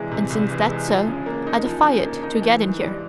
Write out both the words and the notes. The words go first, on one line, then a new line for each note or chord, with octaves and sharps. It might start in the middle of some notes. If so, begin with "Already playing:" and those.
And since that's so, I defy it to get in here.
Already playing: C2 C3 E3 G#3
C3
C2
E3
G#3
F3
C#3
A#3
D#4
F3
C#3
A#3
D#4
E3
G#2
G3